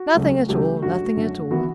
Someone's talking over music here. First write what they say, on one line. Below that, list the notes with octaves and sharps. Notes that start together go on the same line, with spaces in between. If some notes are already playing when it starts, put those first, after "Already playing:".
"Nothing at all,--nothing at all."
Already playing: F#4
C#2 C#3 F#3 A3
C#2 C#3 F#3 A3 G4
F#2 D3 A3 F#4
F#2 D3 A3
E3 B3 F#4